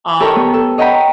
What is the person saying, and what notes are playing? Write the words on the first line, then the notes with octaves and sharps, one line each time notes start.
U um,
G4 A4 A#4 C#5
B3
A4
C#5 D#5 F#5 G5 A#5 B5